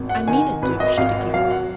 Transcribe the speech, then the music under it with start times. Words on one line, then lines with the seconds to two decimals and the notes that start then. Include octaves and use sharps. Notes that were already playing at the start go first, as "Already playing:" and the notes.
"I mean it to," she declared.
Already playing: G#1
0.09 F#5
0.28 D#3 G#5
0.62 G#1 B4
0.80 D#5
0.98 G#1 F5
1.16 F#5
1.34 F#3 F5
1.51 F#5